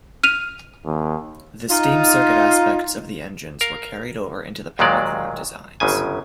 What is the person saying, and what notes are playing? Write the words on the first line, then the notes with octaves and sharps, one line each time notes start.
The steam circuit aspects of the engines were carried over into the Peppercorn designs.
F6 D#7 F7
D#2
D#4 F4
A#4 F5
D#2 A#2 D#3 F#3 G#3 D5
G1 F#2 C#3 G#5